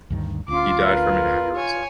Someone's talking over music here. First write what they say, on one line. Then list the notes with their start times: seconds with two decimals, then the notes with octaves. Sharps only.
He died from an aneurysm.
0.10 D2 G2 D#3
0.48 D2 C#4 F4 C6 D6
0.82 A#4 B4
1.56 C#5 G#5